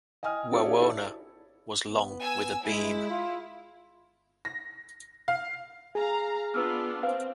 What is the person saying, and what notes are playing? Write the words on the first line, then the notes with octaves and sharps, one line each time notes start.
"Wawona" was long with a beam.
D#5 G5 G#5 D#6 F6
C4 D#4 F4 F#4 A4 C5
D4 G4 G#4 C#5 D5 E5
D#4 E4 G4 A4 C#5
B3
G#5 E6
G#3 E4
F4
A#6
F5
G#4 F5 A#5
B3 D4 F4 B4 E6 F6
C4 B4 C5 F5